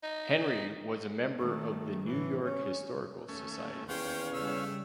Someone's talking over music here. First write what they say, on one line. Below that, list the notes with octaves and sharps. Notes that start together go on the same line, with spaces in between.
Henry was a member of the New-York Historical Society.
D#4
D#3 A3
A2 E3
C#4
D#2 A3 C#4
E2 C#4 C5 C#5 F5 G5
C#3 G3 A3 E6